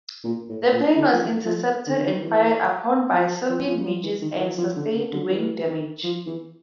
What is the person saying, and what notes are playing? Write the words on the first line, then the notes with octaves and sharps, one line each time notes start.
The plane was intercepted and fired upon by Soviet MiGs and sustained wing damage.
A#2
A2
A#2
D3
F3
E3
F3
D3
D3
D#3
E3
F3
F3
F3
F3
E3
D#3
E3
F3
D3
C#3
D3
E3
F3
E3